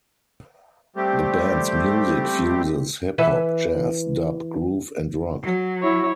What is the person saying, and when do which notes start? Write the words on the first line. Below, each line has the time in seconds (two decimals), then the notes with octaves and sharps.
The band's music fuses hip hop, jazz, dub, groove and rock.
0.96 G3 A3 C4 G4
3.18 E3 B4 E5
5.43 F#3
5.82 E4 C#5